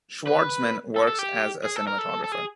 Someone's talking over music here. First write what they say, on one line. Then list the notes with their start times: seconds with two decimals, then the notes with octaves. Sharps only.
Schwartzman works as a cinematographer.
0.28 B4
0.96 A4
1.08 A4
1.19 G4
1.64 G#4
1.76 A4
1.88 A#4
1.99 A4
2.24 A4
2.32 G#4